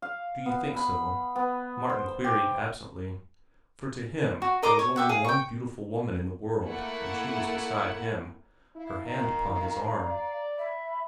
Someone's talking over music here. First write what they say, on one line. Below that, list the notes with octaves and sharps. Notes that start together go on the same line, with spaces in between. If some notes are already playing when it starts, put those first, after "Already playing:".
"Do you think so?" Martin queried absently, for to him there was only one beautiful woman in the world, and she was beside him, her hand upon his arm.
F5
B3
B5
B3
C5
G4
F#4
A#4 D#5 C6 D6
C#5
G4 E5 F#5
G#4 F5
G5 C#6
A3 A#3 E4 F#5
E4 F5
D#3 A#5
D#3
D5
E5 B5